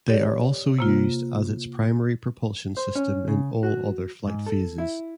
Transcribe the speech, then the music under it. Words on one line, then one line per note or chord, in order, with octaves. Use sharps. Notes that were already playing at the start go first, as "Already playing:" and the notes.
They are also used as its primary propulsion system in all other flight phases.
G4 C#5 D5
C3 A#3 F4
C5
C#4
C#3
F#4
G#2
A4
E4